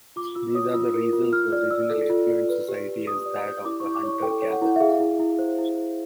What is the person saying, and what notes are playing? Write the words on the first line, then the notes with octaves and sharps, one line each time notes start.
These are the reasons the original affluent society is that of the hunter-gatherer.
F4 D6
F4 E6
C#5 D#6
F4 E6
A#4
F4
F4 F6
D5 F6
D5 E6
A4
F4
D5
B4
G4
G4
G4 D#6
D5
G4
E4 D6
E4 C#6
D6
C#5 C#6
A4 G5
C#5
F#5
E4
E5
G#4 F5
E4
E4
C5
E4
C5